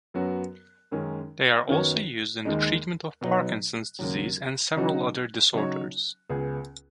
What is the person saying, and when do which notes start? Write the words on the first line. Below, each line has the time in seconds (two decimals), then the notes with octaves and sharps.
They are also used in the treatment of Parkinson's disease and several other disorders.
0.14 F#2 F#3 B3 F#4
0.91 F#2 D#3 G#3 C#4
1.68 F#2 D#3 B3 F#4 C#5
2.45 D#2 D#3 G#3 D#4
3.21 B2 F#3 D#4 B4
3.99 D#2 C#3 F#3
4.76 C#3 F#3 D#4 F#4
5.53 C#3 F#3 D#4 F#4 C#5
6.29 C#2 C#3 B3 G#4